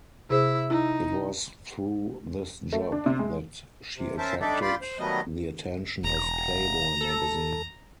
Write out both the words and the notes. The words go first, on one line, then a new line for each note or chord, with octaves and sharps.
It was through this job that she attracted the attention of "Playboy" magazine.
C3 E4 G#4 C5 E5
D#4 E4
A3
D4
C3
G#3
C3
C#4 A#4 C5 E5 A5
G3 D4 D#4 A4 D5 E5
F4 D5 G5 B5 C6
C5
D#3 F#3 G3 A3 B3 D#5
E1 A#5
A4